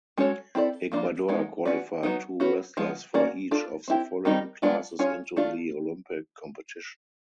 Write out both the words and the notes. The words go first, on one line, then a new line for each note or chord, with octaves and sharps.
Ecuador qualified two wrestlers for each of the following classes into the Olympic competition.
G#3 C#4 F#4 A4 C#5
C4 E4 A4 D5
F3 A#3 D4 F4
G#3 B3 D#4
C#4 F#4 B4 D5
F#3 B3 D#4
C#4 F#4 B4
F3 G#3 B3
A#3 C#4 F#4 A#4 D5
D4 F4 A4 D5
C4 E4 G4
D#3 G3 C4 D#4
G#3 B3 D4 F4
C#4 F4 G#4 C#5
A3 D4 F4